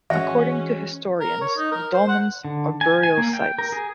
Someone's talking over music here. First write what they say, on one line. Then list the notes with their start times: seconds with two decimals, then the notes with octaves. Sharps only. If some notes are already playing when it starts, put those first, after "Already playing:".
According to historians, the dolmens are burial sites.
0.10 E3 G#3 C#4 F#4 E5 F#5
1.21 A#4
1.41 C#5
1.57 D#4
1.72 A#4
1.94 C5
2.08 F#5
2.45 D3
2.81 G#5
3.03 G#5
3.17 A#3
3.33 G5
3.58 A#4
3.72 G#4